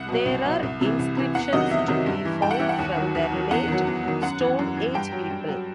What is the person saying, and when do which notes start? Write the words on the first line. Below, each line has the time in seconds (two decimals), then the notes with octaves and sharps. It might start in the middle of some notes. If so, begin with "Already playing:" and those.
There are inscriptions to be found from the late Stone Age people.
Already playing: C2 F#5
0.09 B2 F#3
0.26 C2
0.45 B2 F#3
0.63 C2
0.81 C3 E3
0.99 C2
1.17 C3 E3
1.35 E2 F#5
1.52 C3 D#3 F#3 D#5
1.70 E2 E5
1.88 C3 D#3 F#3
2.06 G2
2.25 E3
2.42 G2 G5
2.51 F#5
2.59 E3 E5
2.69 F#5
2.79 D#2
2.96 D#3 F#3
3.15 D#2
3.32 D#3 F#3
3.51 E2 F#5
3.68 D#3 F#3
3.87 E2
4.04 D#3 F#3
4.22 F#2 F#5
4.41 E3
4.59 F#2
4.77 E3
4.94 G2 G5
5.12 F#3
5.31 G2
5.49 F#3